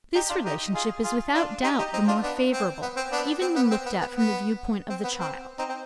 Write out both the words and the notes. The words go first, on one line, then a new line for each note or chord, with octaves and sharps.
This relationship is without doubt the more favorable, even when looked at from the viewpoint of the child.
D#4 G4
D4 F4
D#4 G4
F4 G#4
F4 G#4
D4 F4
D#4 G4
D#4 G4
C4 D#4
D4 F4
B3 D4
C4
B3
C4
B3 D4
C4
B3
C4
B3
B3
B3
C4
B3
C4
C4 D#4
C4